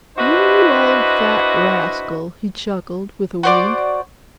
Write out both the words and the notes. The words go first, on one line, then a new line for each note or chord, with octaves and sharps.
"You old fat rascal!" he chuckled, with a wink.
D4 E4 F#4 B4 C5 D#5
F#4 C5 D5